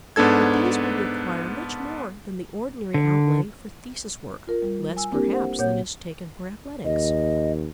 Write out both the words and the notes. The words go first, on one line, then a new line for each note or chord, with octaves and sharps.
But these would require much more than the ordinary outlay for thesis work, less, perhaps, than is taken for Athletics.
G#2 B3 D4 A4 G#6
D3
F4 A#4
G3
G#5 E6
A#3 C4 D4 E4 G4 A#4
C5 F#5
A#2 A#3 C#5 F#5 G6
D#2 D#5